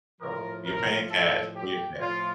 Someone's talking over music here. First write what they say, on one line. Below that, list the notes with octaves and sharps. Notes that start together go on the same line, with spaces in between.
So, you're paying cash for your pet.
A2 F3 A#4
A#4
A4
G4
A2 F3 F4